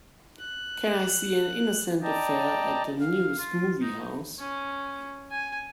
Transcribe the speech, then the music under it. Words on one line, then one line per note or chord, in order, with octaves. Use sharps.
Can I see An Innocent Affair at the nearest movie house.
F#6
D5 D#5 G5 A5 A#5
F5
F4
D#4
C#4
G#5